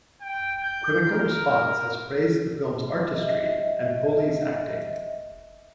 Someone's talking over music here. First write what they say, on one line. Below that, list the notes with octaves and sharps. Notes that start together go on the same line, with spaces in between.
Critical response has praised the film's artistry and Polley's acting.
G5
G6
A#4
D#5 E5